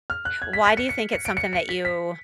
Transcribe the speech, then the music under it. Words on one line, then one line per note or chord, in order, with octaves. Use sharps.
Why do you think it's something that you
F6
F#6
G#6
B6
B6
C#7
C#7
C#7
D7
C#7
C#7
B6
B6